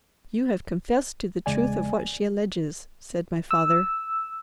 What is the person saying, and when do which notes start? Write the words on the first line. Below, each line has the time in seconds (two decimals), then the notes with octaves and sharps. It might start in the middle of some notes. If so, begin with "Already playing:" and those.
"You have confessed to the truth of what she alleges," said my father.
1.46 E2 C#3 G#3 D5 G#5
3.51 E6